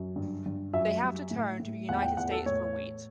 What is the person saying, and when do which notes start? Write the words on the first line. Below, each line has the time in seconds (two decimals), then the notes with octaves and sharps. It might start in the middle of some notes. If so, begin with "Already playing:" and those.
They have to turn to the United States for wheat.
Already playing: F#2
0.16 G2
0.46 G2
0.73 F#2 E5
1.03 G3
1.31 A2
1.60 A2
1.89 E2 F#5
2.02 G5
2.17 E2 F#5
2.31 A4
2.46 A2 C#5